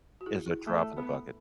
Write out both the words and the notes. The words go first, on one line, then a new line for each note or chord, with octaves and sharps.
It's a drop in the bucket.
F#4
E4 G#4
E4 G#4
A3
B3